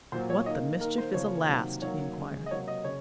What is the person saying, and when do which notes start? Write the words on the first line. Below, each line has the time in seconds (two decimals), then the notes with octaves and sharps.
"What the mischief is a last?" he inquired.
0.12 A#2 F#3 A#3 C5
0.30 C#5
0.46 D#3 D#5
0.51 A#3
0.80 D#3 A#3 A#4
0.98 C5
1.14 C#3 F3 A#3 C#5
1.48 C3 D#3 F#3 A#3
1.82 D#3 F#3 A#3 C#5
2.16 C#3 G#3
2.46 D#5
2.50 C3 F#3 A#3 C#5
2.68 D#5
2.84 C#3 C#5